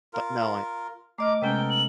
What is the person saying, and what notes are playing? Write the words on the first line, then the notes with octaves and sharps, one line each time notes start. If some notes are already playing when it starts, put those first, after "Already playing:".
but no, I
F4 A#4
A3 D#5 A#5 D6 F6
C3 G#3 B3 C#4 A4 A#4 G5
F#7